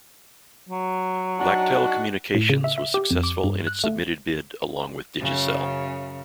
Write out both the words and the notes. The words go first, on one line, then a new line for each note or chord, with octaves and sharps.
Laqtel Communications was successful in its submitted bid along with Digicel.
F#3
D4 D#4 F#4
A2
C#3
E5
E5
G4
F2
D6
G2
F#6
A3
F#2 C#3